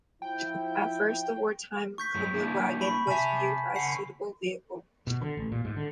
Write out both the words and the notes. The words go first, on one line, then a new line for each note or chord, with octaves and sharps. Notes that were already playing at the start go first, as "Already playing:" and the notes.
At first, the wartime Kubelwagen was viewed as a suitable vehicle.
F3 E4 G5
C#6 G6 B6
G2 F#3 G#3
A#3 D4 E4
B5 C#6
C3 E5 G#5 A5 B6
C#3 F#5 C7
B2
D3
A1
A#2
G#2
D3